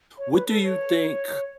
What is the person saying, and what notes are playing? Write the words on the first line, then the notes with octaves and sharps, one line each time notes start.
what do you think,
C#5
B4
A4
C#5